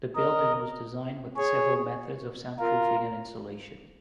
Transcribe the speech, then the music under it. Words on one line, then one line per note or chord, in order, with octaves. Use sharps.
The building was designed with several methods of soundproofing and insulation.
A#4 D#5
G#4 C#5
F4 A#4